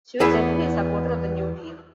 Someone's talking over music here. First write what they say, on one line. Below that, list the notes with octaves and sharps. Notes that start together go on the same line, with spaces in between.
She was generally a supporter of the New Deal.
E2 B3 E4 G#4 B4 B5